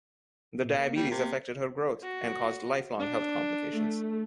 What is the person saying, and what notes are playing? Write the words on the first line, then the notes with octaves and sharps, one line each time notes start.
The diabetes affected her growth and caused lifelong health complications.
A#2
A#3
G3
C3
F#4
D4
A3